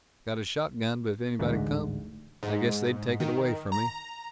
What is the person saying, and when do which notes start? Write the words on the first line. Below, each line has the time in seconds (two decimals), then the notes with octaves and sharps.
Got a shotgun, but if anybody come, I guess they'd take it away from me.
1.39 A1 D2 G#2
2.43 G#2
3.20 D#3
3.72 A#5